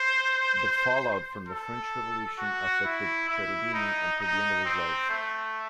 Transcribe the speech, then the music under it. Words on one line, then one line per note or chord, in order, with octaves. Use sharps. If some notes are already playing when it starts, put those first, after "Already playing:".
The fallout from the French Revolution affected Cherubini until the end of his life.
Already playing: C5
A4
F#4
E4
E4
D#4
D#4
C4
A3